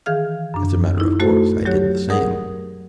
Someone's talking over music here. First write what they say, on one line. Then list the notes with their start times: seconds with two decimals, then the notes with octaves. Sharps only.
As a matter of course I did the same.
0.06 D#3 E3 G#4 F5 F6
0.54 F#2 D4
0.98 D#4 E4
1.20 A3 F#4 A4 C5
1.65 F#3 G4 C#5 F#6
2.10 G#4 A#4 F#5 D#6